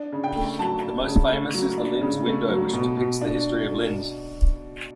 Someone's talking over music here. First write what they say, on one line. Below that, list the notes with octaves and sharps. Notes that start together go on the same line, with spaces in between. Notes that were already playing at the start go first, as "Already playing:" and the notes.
The most famous is the Linz Window, which depicts the history of Linz.
Already playing: D4
C#3
G5
A3
F#3 A5
D4
C#3
A3
F#3
D4
C#3
A3
F#3
B2
B2
D4